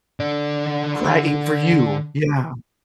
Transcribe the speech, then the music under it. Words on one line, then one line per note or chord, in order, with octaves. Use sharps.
Right, for you. Yeah.
D3 D5